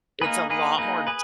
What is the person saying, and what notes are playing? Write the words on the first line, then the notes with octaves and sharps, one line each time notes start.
It's a lot more
A#3 D#4 G#4 B4
A#3 D#4 G#4 B4
A#3 D#4 G#4 B4
G#4 B4